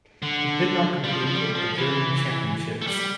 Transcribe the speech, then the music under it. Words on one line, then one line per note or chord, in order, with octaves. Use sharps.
He did not compete at the German Championships.
D3
G3
F3
F3
G3
F3
E3
A3
G3